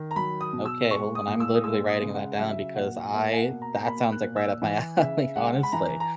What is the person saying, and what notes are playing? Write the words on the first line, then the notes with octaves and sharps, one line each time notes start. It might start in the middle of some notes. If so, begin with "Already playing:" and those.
Okay, hold on, I'm literally writing that down because I that sounds, like, right up my alley, honestly.
Already playing: D#3
A#5
F#3 B5
D#6
B2
E6
G#3 C#6
D#6
A#2
E6
D#6
G#3 E6
D#6
C#3
F#5
F#3 E5
A#2 F#5
A#3 E5
G#5
F#5
B2
A#5
A#5
A#3 B5
F#6
A#2
E6
E3
C#3 E5
G#3 F#5
B5
E3 A#5
A#5